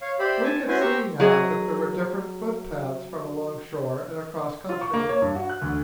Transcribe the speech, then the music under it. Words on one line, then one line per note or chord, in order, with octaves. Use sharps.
We could see now that there were different footpaths from along shore and across country.
C#5 F5
G4 C5 D5 E5 B5
G#5 A5
C#4 E4 F#4 B4 C5 G#5
G4 C5 A#5 C#6 E6
F#3 G#4 D#5
F4
C#6
A#3
C#5
G2
F#4
F#6
D2